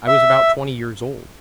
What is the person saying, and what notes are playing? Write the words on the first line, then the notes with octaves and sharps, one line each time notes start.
I was about twenty years old.
E5